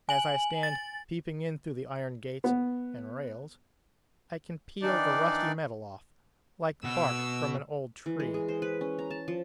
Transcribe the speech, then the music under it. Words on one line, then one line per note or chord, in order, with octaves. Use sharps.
As I stand peeping in through the iron gates and rails, I can peel the rusty metal off, like bark from an old tree.
G#5 F#7
A6
B3
D#3 E3 D4 D#4 D5
B2 B3 E6
E3
G#3
G#4
C5
B4
C#4
A#5
A5
F3